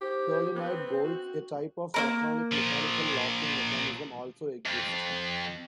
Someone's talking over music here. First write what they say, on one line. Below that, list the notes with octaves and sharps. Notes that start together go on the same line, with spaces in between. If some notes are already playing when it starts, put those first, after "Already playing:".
Solenoid bolts, a type of electronic-mechanical locking mechanism, also exist.
G4 C5
B3 C4
F#4
A#3 C#4 A#4
A#2 F3
F2